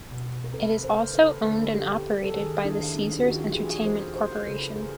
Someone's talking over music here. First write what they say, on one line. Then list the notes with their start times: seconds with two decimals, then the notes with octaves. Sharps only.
It is also owned and operated by the Caesars Entertainment Corporation.
0.09 B2
0.44 A#4
0.53 C3 A4 B4
0.84 A#4 C5
0.99 C#3
1.13 A4 B4
1.44 D3 A4 B4
1.74 G4 A4
2.24 A4
2.35 D#3 G#4 A#4
2.64 D4 E4
2.95 C#4 D#4
3.19 F#4
3.25 D#3 F4 G4
3.50 G4
3.55 E3 F#4 G#4
3.86 A#4 C5
4.16 A#4 C5
4.46 C#3 A4 B4
4.76 G#4 A#4